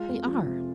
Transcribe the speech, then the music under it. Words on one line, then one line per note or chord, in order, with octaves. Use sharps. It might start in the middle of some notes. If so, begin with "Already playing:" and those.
They are.
Already playing: G#3 F4
F2
F3
C3